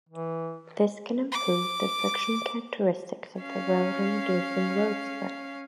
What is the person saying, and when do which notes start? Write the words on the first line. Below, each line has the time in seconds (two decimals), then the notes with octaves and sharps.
This can improve the friction characteristics of the road and reducing road spray.
0.09 E3
1.32 D6
3.41 C#4 F5